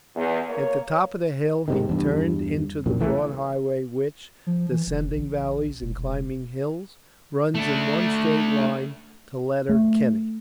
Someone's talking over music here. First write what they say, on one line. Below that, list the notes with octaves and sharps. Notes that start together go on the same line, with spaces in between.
At the top of the hill he turned into the broad highway which, descending valleys and climbing hills, runs in one straight line to Letterkenny.
E2
A#3 C#5
G#2 C3 D#3
E2 G2
A#1 F#2 A#2
C2 E3 A3
F3
E3
F1
A1
E1
E1
A3 D4
A3